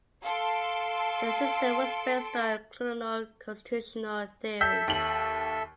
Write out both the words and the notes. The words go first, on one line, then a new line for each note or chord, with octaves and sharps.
The system was based on colonial constitutional theories.
A4 F5 C6 D7
A4 E5 E6 G6 B6
D#2 F#7